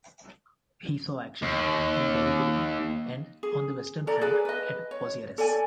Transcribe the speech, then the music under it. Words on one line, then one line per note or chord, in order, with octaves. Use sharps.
He saw action in Gallipoli and on the Western Front at Pozieres.
D#2
G#4
A4 D5 A#5
G#4 B4 D5
B4 D#5
C#5
A4 D5 G#5